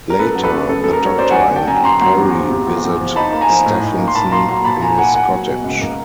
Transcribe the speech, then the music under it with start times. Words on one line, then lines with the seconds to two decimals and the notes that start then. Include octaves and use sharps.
Later, the Doctor and Peri visit Stephenson in his cottage.
0.10 A#4
0.19 F#2 A4 B4
0.36 F#3
0.44 A4 B4
0.53 C#3
0.69 F#2 A4
0.84 F#2 A4
0.93 A#4
1.02 F#3 C#5
1.18 F#2 C5 D5
1.30 F#3 F#5 G#5
1.51 D3
1.56 G5 A5
1.67 F#2 G#5 A#5
1.84 F#2 A#5 C6
2.01 F#3 A#5 C6
2.18 E2
2.34 F3
2.50 C3
2.67 E2
2.84 E2
3.00 F3
3.16 D#4 A5 B5
3.33 A#3
3.41 G#5 A#5
3.50 F3
3.66 A2
3.82 D#4
3.99 A#3
4.08 C6
4.15 A#2 A5 B5
4.32 A#3 A#5 C6
4.48 F#3 A#5 C6
4.65 A#2 A5 B5
4.81 A#2 G#5 A#5
4.98 A#3 F#5 G#5
5.15 A#3 F#5 G#5
5.32 F#3
5.48 B2
5.64 C#2
5.81 A#3